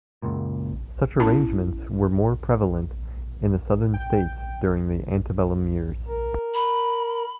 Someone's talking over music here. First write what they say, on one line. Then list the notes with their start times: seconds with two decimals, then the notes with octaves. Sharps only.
Such arrangements were more prevalent in the Southern states during the antebellum years.
0.22 F#1 C#2 A#2
1.20 B3 C#4 E4 A5
3.94 G5
6.07 A#4
6.54 B5